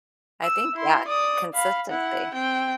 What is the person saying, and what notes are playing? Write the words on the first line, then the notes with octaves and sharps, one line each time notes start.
I think, yeah, consistency.
E6
E4 C6
D5 D#6
F5 B5
E4 F#5
C4 G5